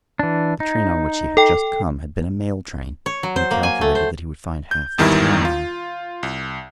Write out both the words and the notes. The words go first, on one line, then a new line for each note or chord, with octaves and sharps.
The train on which he had just come had been a mail-train, and he calculated that he would find half the town there.
E3 D4
D#4
A4 G5
C#5
F#3
C5
A#3
G#5
A3
C5
G6
G#1 E2 D#3 G3 E4
F4
C2